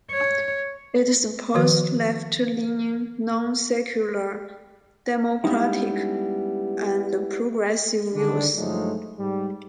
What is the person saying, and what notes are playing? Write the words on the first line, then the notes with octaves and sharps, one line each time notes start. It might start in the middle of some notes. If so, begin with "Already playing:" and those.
It supports left-leaning non-secular democratic and progressive views.
C#5
D#3 F3 F#4 B4
G3 G#3 B3 C#4 D#4 E4
D3 D#3 G3 G#3 D4
G2 F3 F#3 G#3 A3 D#4
G#2 G3